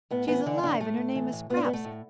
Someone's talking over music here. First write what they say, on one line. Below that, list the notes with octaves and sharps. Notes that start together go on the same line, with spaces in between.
She's alive and her name is Scraps.
A2 B3
E3 B3
D3 E3 D4
A2 D3 D4
A2 A3
A2
E3
A2
A2 B3
D4
B3
A2
A3
A2